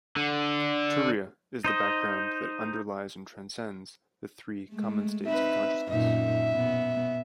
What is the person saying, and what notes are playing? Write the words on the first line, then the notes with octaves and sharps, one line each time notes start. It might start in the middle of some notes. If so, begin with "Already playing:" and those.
Turiya is the background that underlies and transcends the three common states of consciousness.
D3
D#4 C5 D#5
G#3 A3
C4 D#4 B4 E5
F#2 A#2 D#4 E5
B2 B3